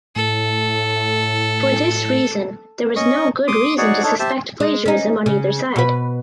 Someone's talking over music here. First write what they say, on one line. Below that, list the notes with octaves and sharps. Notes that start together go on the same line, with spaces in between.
For this reason there was no good reason to suspect plagiarism on either side.
A2 A4
C#4 D#5 C#6
C6 D6 D#6
D#4 F#4 G#4 C#5 D5 F#5
D4 D#4 A4 C#5
G4 C5 E5 A5
G#3
C#4 D#4
C#3
B2 B4